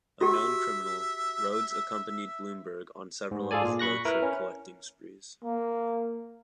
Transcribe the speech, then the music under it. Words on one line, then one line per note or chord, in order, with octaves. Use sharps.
A known criminal, Rhodes accompanied Blumberg on several of his "road trip" collecting sprees.
F#4 G4 E5
G#2
F4 G#4 A4 D5 G#5
A#2
B5 C#6 F#6 A#6
E4 A#4 B4
C#4
A#3